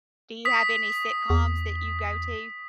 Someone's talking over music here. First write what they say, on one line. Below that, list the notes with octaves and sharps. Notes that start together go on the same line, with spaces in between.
Do you have any sitcoms that you go to?
D#6 B6
E2